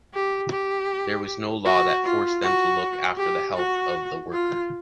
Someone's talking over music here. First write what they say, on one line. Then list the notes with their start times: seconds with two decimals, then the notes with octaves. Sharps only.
There was no law that forced them to look after the health of the worker.
0.14 G4
0.51 G4
1.65 F#4
2.04 F4
2.42 F#4
3.18 G4
3.55 F#4
4.32 F4